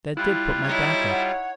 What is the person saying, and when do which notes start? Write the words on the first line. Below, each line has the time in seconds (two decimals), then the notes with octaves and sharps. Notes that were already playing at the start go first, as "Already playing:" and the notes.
That did put my back up.
0.17 G3 E4 F4 F#6
0.65 D#4 E4 C#5
1.10 F#5